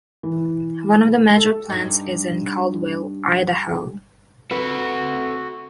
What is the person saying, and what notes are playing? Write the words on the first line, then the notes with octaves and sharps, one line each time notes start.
One of the major plants is in Caldwell, Idaho.
E3
A4
G2 D#4
C4 F#4 A4 B4 E5 F#5